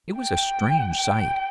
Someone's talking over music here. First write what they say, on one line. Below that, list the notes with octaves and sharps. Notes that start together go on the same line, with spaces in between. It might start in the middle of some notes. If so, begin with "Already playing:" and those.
It was a strange sight.
G5
G5